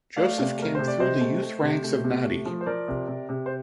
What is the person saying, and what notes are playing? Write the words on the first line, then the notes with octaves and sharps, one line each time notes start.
Joseph came through the youth ranks of Nadi.
A3 D5 F5
C3
A3 A#4
C3 C5
D5
C3 C5 D#5
A3
A3
C3
A3
C3
A3
F3
C5
F3 A#4 D5
C3
C3
C3
C5